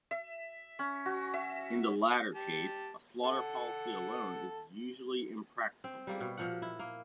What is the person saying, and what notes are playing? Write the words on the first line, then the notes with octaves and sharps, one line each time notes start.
In the latter case, a slaughter policy alone is usually impracticable.
E5
C#4
F#4
E5
G4 A5
A4 F#5
C4
G3 A#3
B2
A#2 F3 F#5
E4
A#3